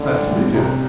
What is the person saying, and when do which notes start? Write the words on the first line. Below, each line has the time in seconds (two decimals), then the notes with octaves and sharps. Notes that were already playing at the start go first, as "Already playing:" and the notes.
"How do you do?"
Already playing: A1 A2 D3
0.27 A2
0.33 G2
0.54 C2 C3